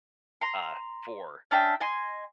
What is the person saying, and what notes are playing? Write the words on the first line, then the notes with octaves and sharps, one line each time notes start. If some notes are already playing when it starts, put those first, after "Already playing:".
uh, for
A#5 C6
C#4 D4 E5 G5
D#5 G#5 C6